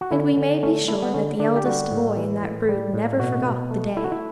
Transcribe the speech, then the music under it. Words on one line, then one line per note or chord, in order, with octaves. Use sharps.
And we may be sure that the eldest boy in that brood never forgot the day.
F#4
D3 E4
D3
A3 C#4
A3 E4
B3
D3 C#4
D3 D4
G4
G3 F#4
A2
E3
A2
G3
A2
B2 F#4
B2
A3
A3 E4
F#4
E4